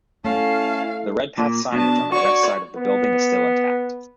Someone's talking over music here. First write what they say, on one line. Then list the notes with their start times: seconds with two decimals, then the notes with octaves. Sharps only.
The Redpath signage on the West side of the building is still intact.
0.25 A3 C#4 E4 F5 A5
1.38 A#2
1.73 B2 D4 A5
2.12 F#4 C#5 D5 C#6
2.76 B3